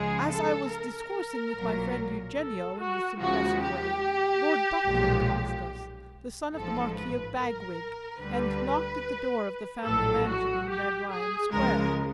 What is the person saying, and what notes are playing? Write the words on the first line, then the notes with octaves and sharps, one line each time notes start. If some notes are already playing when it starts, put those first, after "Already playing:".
As I was discoursing with my friend Eugenio in this impressive way, Lord Buckram passed us, the son of the Marquis of Bagwig, and knocked at the door of the family mansion in Red Lion Square.
Already playing: C#2 C#3 F3 G#3 G#4
A4
A#4
B1 A#2 F#3
A4
F#4
D#2 C#3 F3 G#3 F#4
G4
B1 A#2 F3 G#3
A1 G#2 F3 A4
B4
A#4
D2 D3 G3 B4
A#1 A2 F#3 A4
F#4
G4
G#4
C#2 C#3 F3 G#3 A#4